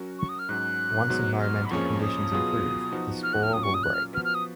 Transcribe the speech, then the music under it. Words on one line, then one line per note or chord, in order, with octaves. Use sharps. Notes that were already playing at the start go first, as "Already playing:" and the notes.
Once environmental conditions improve, the spore will break.
Already playing: F#3 C#4 F#4 A#4
C#6
D#6
F6
G#2 F#3 C#4 F#6
G#2 F#3 B3 F#4
F6
B5
F2 F3 A#3 C#4 G#4 C#6
D#6
B2 F#3 B3 F4 G#4
F3 B3 D#4 F#4
F6
F#6
F6
A#2 F#3 C#4 F4 D#6
C#6
D#6
F#6
F6
F3 B3 F#4 B4 F6
F6
D#6